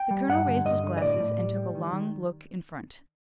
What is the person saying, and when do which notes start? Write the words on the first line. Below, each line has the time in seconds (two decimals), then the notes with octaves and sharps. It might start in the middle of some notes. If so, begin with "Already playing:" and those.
The colonel raised his glasses and took a long look in front.
Already playing: G5
0.11 G3
0.28 G2 F#5
0.47 D3
0.65 G2 D#5
0.84 D3
0.97 D#5
1.01 A2 D5
1.20 A2
1.38 G3
1.56 G3
1.75 D#3
1.92 D#3